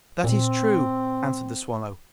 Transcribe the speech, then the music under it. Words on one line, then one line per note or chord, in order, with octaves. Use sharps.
'That is true,' answered the swallow.
A#2 C4